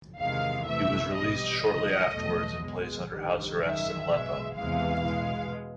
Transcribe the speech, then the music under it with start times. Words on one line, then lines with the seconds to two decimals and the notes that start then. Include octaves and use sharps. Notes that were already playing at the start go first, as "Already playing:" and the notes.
He was released shortly afterwards and placed under house arrest in Aleppo.
0.19 E2 C3 D#3 G#3 F5
0.67 C3 E3 A3 E5
1.15 B2 G3 D#5
1.64 G#2 F3 A3 D#5
2.12 E2 B2 F#3 A3
2.61 B2 G#3
3.10 G2 D#3 G3
3.58 F#2 D#3 G#3 E5
4.07 B2 G#3
4.55 E2 C3 E3 G#3 F5
5.03 B2 G#3